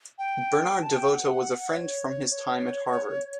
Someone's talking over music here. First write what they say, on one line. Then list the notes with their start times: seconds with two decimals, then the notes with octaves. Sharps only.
Bernard DeVoto was a friend from his time at Harvard.
0.18 G5
0.82 A5
0.96 G5
1.10 G5
1.14 F#5
1.69 D5
1.73 C#5
2.31 C#5